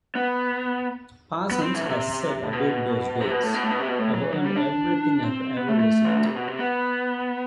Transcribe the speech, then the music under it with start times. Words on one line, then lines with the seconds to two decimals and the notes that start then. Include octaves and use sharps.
Parsons has said about those days, I've earned everything I've ever received.
0.15 B3
1.51 B3
1.62 C4
1.74 E3
1.80 B2
1.85 C3
2.44 A2
2.53 B2
3.21 C3
3.31 B2
3.43 A2
3.54 B2
3.63 A2
3.71 B2
3.80 C3
3.88 B2
3.99 A2
4.14 F#3
4.22 E3
4.33 F#3
4.44 G3
4.56 D4
5.24 C4
5.57 B3
5.68 A3
5.80 A3
6.05 E3
6.15 D3
6.25 C3
6.36 B2
6.48 C3
6.59 B3